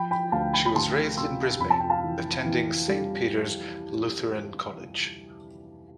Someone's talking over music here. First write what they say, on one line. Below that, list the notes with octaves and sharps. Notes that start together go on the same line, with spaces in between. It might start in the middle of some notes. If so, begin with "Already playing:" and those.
She was raised in Brisbane, attending Saint Peter's Lutheran College.
Already playing: F3 G5 B5
G5 B5
D2 F5 A5
G5 B5
B5
D2 A5 C6
C3 C6 E6
F2 B5
A5
G5
F5 A5
E3
E3
G3